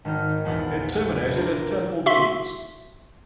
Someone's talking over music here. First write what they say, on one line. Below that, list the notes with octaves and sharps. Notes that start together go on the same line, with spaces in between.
It terminated at Temple Meads.
G#1 D#3 D#4 C5 F6
A#1 E2 C5 F#5 D#6 A6
E4
D4 F4 A#4
F#4 E5 C6